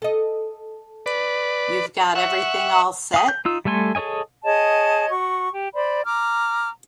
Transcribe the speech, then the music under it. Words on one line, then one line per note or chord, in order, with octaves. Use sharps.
You've got everything all set?
A4 D#5
B4 D5
E5 F#5 C#6
F5 D#6
G6
D#4 F4 E6
G3 A3 A4 G#5 C6
G#4 A4 C#5 D#5 G#5
G#4 C#5 D#5 A5
F#4 C#6
G4
C5 D5 B5
A#5 D6 F6